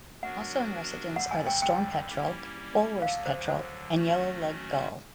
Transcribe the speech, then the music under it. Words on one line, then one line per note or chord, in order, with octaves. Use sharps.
Also in residence are the storm petrel, Bulwer's petrel and yellow-legged gull.
F#3 B3 D4 F#4 A#4 F#5
F2 D3 G3 F#5
G#5
G5
G5
G3 A#3 C#4 E4 G4
D2 D3 F#3 F5
C5
C5
D#3 F#3 A3 C#4 F#4